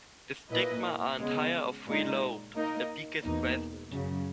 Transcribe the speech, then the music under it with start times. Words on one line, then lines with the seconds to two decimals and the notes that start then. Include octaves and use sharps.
The stigma are entire or three-lobed; a beak is present.
0.50 A#2 A#3 E4 B4 D#5
1.19 C#3 G#3 B3
1.87 A#2 G#3 D#4
2.55 A#3 D#4 A#4 D#5
3.23 E2 B2 A#3 D#4
3.91 F#2 C#3 F#3